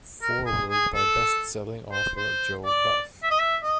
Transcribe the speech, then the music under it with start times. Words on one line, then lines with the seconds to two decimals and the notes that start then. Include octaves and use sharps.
Foreword by Bestselling Author Joe Buff.
0.22 A#4
0.46 G#4
0.70 G#4
0.95 A4
1.92 C5
2.17 C5
2.65 D5
3.23 E5
3.30 D#5
3.39 E5
3.63 D#5